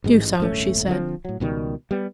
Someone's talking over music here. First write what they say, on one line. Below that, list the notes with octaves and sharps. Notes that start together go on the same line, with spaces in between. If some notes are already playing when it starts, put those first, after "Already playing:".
"Do so," she said.
A1 G#2 G#3
D#1 G#1 A3 C#4
D3 F3 G#3 C4
A2 F#3
C#2 B2 D#3 G3
G3 B3